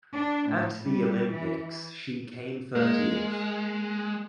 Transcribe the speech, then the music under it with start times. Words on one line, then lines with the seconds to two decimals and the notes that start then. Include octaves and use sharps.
At the Olympics she came thirtieth.
0.11 D4
0.48 A2
0.83 G3
1.31 E3
2.75 G#3 A#3